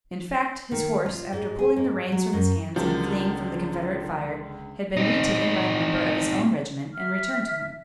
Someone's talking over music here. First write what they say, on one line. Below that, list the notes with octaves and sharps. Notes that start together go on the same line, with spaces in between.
In fact his horse, after pulling the reins from his hands and fleeing from the Confederate fire, had been retaken by a member of his own regiment and returned to him.
D#3
F4
G#2
G#4
G#2
F#3
F#2
C#2 D3 D#3 F3 F#3 G#3
C4 D#4
E5 F6